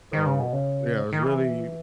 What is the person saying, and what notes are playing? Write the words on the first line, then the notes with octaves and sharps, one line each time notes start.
so, yeah, it's really
D#3
C#3
B2
C#3
D#3
E3